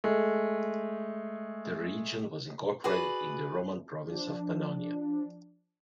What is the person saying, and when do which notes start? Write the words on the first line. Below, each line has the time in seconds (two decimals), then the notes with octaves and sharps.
The region was incorporated in the Roman province of Pannonia.
0.04 G#3 A3
2.84 F#4 G#4 B4 D5
4.10 F3 D4